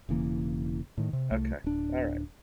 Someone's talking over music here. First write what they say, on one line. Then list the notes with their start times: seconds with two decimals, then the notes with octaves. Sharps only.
Okay. Alright.
0.09 E1 C#3 E3 A#3
0.97 A2 D#3
1.13 C3
1.31 C2 A3
1.64 D1 D4